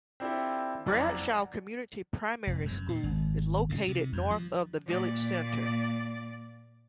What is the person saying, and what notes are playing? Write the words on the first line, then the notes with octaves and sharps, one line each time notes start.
Bradshaw Community Primary School is located north of the village centre.
C4 D4 E4 F4 G4 A4
F#1 F2 D5 F#5 A#5 G#6
F1
F#2
A#2
G#1
C#3
C3
F2
F3
A#2 D5